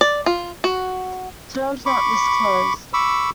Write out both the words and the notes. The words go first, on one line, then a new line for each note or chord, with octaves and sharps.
Terms not disclosed.
D5
F4
F#4
B5 C#6 D6
B5 C#6 D6 E6